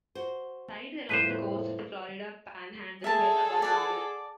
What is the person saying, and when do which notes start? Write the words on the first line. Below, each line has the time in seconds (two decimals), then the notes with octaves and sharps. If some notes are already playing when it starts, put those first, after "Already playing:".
Tides along the coast of the Florida Panhandle were above normal.
0.15 F#4 C5
1.09 F2 A2 C3 G3 B4 C5
3.04 G#4 A4 E5 A5
3.62 D5 F#5